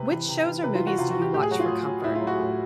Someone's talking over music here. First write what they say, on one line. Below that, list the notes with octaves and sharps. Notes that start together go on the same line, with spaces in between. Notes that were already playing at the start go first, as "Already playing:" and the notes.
Which shows or movies do you watch for comfort?
Already playing: C3 B4
E3
C3
E3
C3 B4
F4
E3
F#4
C3 F4
F#4
E3
G4
A2 G4
G#4
F#3 F#4
F4
A2
F#3
A2 E4
F4
F#3
F#4
A2